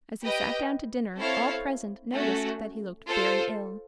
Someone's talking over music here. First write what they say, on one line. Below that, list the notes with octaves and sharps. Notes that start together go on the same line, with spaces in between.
As he sat down to dinner all present noticed that he looked very ill.
G4 B4 D#5 G5
C4 E4 A4 C#5 F5
A3 C#4 F#4
F4 A4 C5